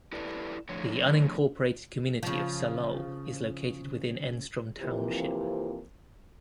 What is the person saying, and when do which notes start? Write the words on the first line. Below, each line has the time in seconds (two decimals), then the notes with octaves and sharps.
The unincorporated community of Salol is located within Enstrom Township.
0.12 E4 G4 A4 B4 D5
0.69 A2 D3 F3 C#5
2.23 C#3 F3
4.79 F2 C3 E3 F3 A#3 G4